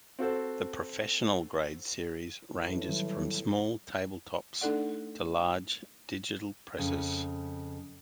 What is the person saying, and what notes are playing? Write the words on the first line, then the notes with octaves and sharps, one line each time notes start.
The professional grade series ranges from small table tops to large digital presses.
C4 F#4 A4 C5
G#1 A2 E3
D#3 F#3 G3
A3 D4 D#4 A4 D5 F#5
F2 C#3